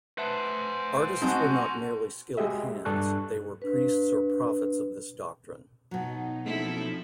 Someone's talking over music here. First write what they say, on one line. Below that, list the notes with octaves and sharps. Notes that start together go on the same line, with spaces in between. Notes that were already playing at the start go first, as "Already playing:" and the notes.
Artists were not merely skilled hands; they were priests or prophets of this doctrine.
B4 C5 E5 F#5 A5
F#3 C4 D#4 F#4 G#5 A5 G6
G#3 F#4 G4 D#5 E5
G2 D4 A4 C#6 F#6
D4 B4
B2 F#3 D#4
F3 C4 C#4 D#4 E4 A4